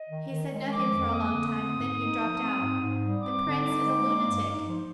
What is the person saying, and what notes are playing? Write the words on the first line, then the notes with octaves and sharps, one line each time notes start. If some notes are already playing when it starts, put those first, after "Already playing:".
He said nothing for a long time, and then he dropped out, "The Prince is a lunatic!"
Already playing: D#5
D#3
D#3
G#3
F3 D6
F2
A#3 D#6
D3
C4
G#2
D#4
F3
C4
G#2
G#2
G3
C4 D6
D3
D#4
G#3
A#3
G2
D#4
F3